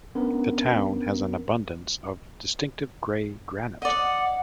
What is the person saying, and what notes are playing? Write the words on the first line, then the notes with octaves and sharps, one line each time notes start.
The town has an abundance of distinctive grey granite.
B3 C#4 D4 A#4
D5 D#5 F#5